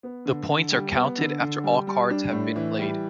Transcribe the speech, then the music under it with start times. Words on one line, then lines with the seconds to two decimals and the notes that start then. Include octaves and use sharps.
The points are counted after all cards have been played.
0.03 B3
0.26 D3
0.49 D3
0.71 G3
0.96 B3
1.18 D3
1.40 D3
1.64 G3
1.87 G3
2.10 D4
2.33 A2
2.56 E3
2.79 G3